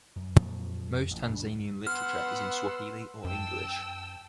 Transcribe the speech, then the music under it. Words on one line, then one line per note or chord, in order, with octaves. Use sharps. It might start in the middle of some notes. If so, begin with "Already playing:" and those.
Most Tanzanian literature is in Swahili or English.
F#2
F2 A#2 F3 F#3
F2
A1
C#2 G2 C#3 D4
B3 F#5 C6 E6 F6
F#2 G5 A5 E6